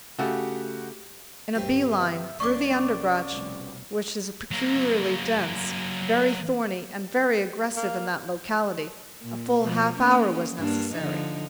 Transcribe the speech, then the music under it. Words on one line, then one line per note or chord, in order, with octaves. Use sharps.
In a bee-line, through the underbrush, which is peculiarly dense, very thorny, and very aggressive in that locality, a full half hour was necessary.
C#3 A3 F#4 G4
G1 D#2 F#3 C4 G4 B4
B3 E5
C2 F3 B3 C#4 D5 C#6 D6
F1 B2 G3
F#3 A#3
A#3
A#2
B2 F3
A#3 C#4
G2 A#3 D4
D3 F3 D#4